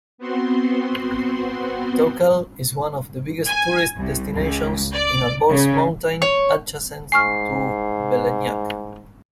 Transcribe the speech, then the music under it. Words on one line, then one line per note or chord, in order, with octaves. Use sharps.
Tochal is one of biggest tourist destinations in Alborz Mountain adjacent to Velenjak.
B3 C4 F#4 C6
G#5
C2
C#2
D5
C#3
C#5
G#2 G#5 C#6 F6 C7